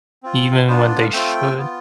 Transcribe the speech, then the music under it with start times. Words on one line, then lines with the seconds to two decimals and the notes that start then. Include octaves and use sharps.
even when they should.
0.23 C4 F4
0.68 B3 D4 F4 C5
0.79 D5
0.90 D5
1.02 F5
1.12 A3 C4 F4 G5
1.57 B3 F4